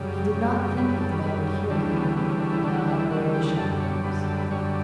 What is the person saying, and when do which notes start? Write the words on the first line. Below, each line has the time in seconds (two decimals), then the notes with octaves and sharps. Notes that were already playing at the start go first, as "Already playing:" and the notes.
He did not think that the man would hear him, but the man had very sharp ears.
Already playing: F#2 C#3 G3
0.30 F#2 C#3 G3
0.77 F#2 C#3 G3 B4
0.88 B4
1.00 A4
1.12 B4
1.24 F#2 C#3 G3 B4
1.70 D2 C#3 E3 G3 D4
1.93 B3
2.16 D2 C#3 E3 G3 B3
2.28 C#4
2.40 D4
2.52 E4
2.63 D2 C#3 E3 G3 D4
2.75 F#4
2.87 D4
2.99 E4
3.10 D2 C#3 E3 G3 F#4
3.34 G4
3.57 F#2 D3 G3 A4
3.80 C#5
4.04 F#2 D3 G3 B4
4.27 A4
4.39 B4
4.50 F#2 D3 G3 C#5